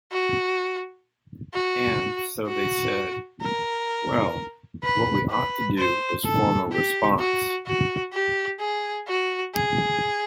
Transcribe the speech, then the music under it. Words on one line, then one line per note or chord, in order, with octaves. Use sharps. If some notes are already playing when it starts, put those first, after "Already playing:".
And, so, they said, 'Well, what we ought to do is form a response.
F#4
F#4
F#4
A#4
B4
B4
C5
A4
G4
F#4
F#4
G4
G#4
F#4
G#4